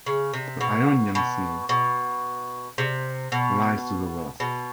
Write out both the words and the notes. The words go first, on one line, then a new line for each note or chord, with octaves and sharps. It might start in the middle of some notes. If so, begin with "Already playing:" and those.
The Ionian Sea lies to the west.
C#3
C3
B2
B2
B2
C3
B2
B2